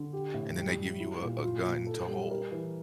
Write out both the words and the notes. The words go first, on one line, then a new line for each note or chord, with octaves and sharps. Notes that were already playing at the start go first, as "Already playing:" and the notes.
and then they give you a a gun to hold.
Already playing: D3
G4
A2
G3
G3
E4
A#2
F4
A#2
A4
G3
A#4
E3